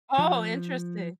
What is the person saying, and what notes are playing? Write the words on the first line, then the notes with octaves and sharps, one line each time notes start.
Oh! Interesting.
F3